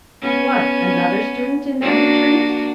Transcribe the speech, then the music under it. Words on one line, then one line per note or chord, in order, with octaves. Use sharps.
"What--another student in that retreat?"
B3 C#4
A#3 D4 F#4